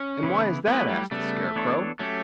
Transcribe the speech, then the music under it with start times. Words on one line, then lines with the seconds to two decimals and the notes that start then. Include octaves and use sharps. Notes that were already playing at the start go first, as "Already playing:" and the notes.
"And why is that?" asked the Scarecrow.
Already playing: C#4
0.23 C#3 E3 B3 E4
0.67 F#3 A3 B3 E4 G4 B4
0.89 G3
1.11 C#3 G3 A3 B3
1.55 E3 B3 D4 A4 C#5
1.99 F#3 A3 C#4 G4